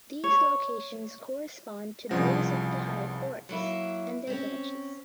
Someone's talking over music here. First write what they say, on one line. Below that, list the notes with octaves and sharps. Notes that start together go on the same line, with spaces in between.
These locations correspond to those of the High Courts and their branches.
C#5
C2 G2 C#3 F3 F#5 A#6
F#3 A#3 E4
C4 C#4